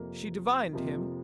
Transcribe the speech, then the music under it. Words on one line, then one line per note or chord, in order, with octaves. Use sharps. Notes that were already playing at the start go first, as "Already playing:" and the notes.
She divined him.
Already playing: F2 C3 F3 A#3
F2 C3 F3 A#3